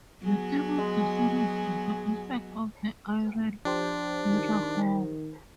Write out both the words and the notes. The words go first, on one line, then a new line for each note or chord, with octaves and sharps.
The theme of the series is the effects of the Iran–Iraq War.
F#3 B3 F#4 G#4
G#3
F3 D4 G4 C5
D#3